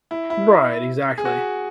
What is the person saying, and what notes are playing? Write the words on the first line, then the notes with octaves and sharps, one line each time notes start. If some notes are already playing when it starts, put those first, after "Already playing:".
Right. Exactly.
E4
E4
G#4
F#4